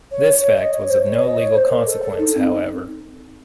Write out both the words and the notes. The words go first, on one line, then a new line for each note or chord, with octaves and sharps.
This fact was of no legal consequence, however.
C#5
C#5
D#5
C#5
C5
C#5
D#5
C#5
C5
A#4
A4
A4
D#4
C4